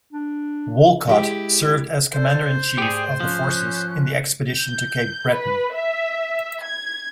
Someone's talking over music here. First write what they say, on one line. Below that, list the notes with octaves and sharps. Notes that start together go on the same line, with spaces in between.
Wolcott served as Commander-in-Chief of the Forces in the Expedition to Cape Breton.
D4
G#3 E4 G4
A4 C5 D5
G#2 A3 G4 G#4 D5 G5
F3 C#4 F5 F#6
G6
B4
E5
G#6